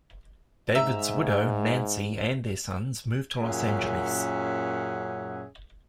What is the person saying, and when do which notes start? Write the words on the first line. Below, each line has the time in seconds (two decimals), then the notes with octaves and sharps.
David's widow, Nancy, and their sons, moved to Los Angeles.
0.75 G#2 E5 A#5
3.41 F#2 A#2 C#4 G#4 E5 F#5